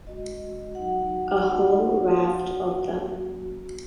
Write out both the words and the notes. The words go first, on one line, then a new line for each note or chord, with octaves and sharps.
A whole raft of them.
G#3 C#4 F#4 D#5
F#3 D#4 F#4 F#5
A#3 D#4 F#4 F#5
A#3 C#4 F#4
F#3 A#3 C#4 F#4
A#3 F#4